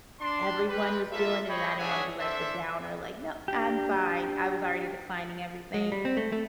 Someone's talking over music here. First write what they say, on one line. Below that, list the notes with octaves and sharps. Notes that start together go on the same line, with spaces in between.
"everyone was doing it" and I didn't wanna be like the downer. Like, "No. I'm fine." I was already declining everything.
D4 C6
G3 B4
A#3 F4 A4 E5
C#5 D#5 G5 B5
D4 G#4 C#5 E5 F#5 G#5
D4 A4 C5 E5
D4 G4
G#3
G3
C4
A3
A3